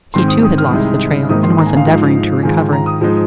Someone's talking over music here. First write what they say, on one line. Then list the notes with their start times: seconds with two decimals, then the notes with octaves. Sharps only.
He too had lost the trail, and was endeavouring to recover it.
0.14 G#2 D#3 C4 C6
0.28 D#6
0.43 D#6
0.58 F6
0.71 C2 C3 G#3 D#4
1.29 G#1 G#2 D#3 A#3 D#4 D#6
1.43 C6
1.58 A#5
1.66 G#5
1.77 F5
1.86 G#2 F3 G#3 D#4
2.43 G#2 D#3 G#3 F4 G#5
2.72 A#5
2.86 D#6
3.01 G#2 F3 G#3 D#4